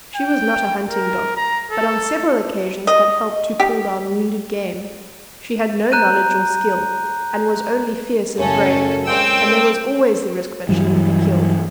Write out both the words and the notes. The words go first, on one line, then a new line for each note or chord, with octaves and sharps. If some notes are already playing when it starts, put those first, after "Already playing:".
She was not a hunting dog, but on several occasions had helped to pull down wounded game; she had no knowledge or skill, and was only fierce and brave, and there was always the risk that she would be killed.
G5
A#4
A#5
A4
D#5
G4
A#5 F#6 G6 D#7
F#2 A2 C#3 C#4 A4
A#2 G#3 C4 C#4 G5 E6
G2 E3 F#3 G3